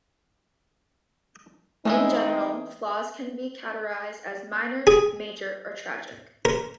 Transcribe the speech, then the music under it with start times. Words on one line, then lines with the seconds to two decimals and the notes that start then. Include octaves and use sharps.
In general, flaws can be categorized as "minor", "major", or "tragic".
1.85 E3 G#3 A3 C4 D#4 E4
4.87 G#4
6.45 A#4